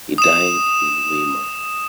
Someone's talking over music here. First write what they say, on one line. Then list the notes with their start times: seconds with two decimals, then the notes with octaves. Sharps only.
He died in Weimar.
0.18 D#6 E7